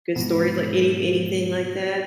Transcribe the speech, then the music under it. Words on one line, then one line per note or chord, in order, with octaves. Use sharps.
good stories, like any anything like that?
G#2 B2